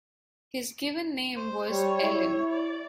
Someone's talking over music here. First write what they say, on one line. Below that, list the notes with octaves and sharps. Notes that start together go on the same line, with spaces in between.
His given name was Elim.
C5
G3 C#5
E4
D5